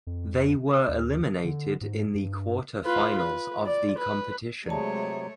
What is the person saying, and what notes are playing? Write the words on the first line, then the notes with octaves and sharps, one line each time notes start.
They were eliminated in the quarterfinals of the competition.
F2
D#2
D3
G#2
G2
F4 B4
B4
D5
B4
C3 F#3 G#3 A3 C#5 D5 A5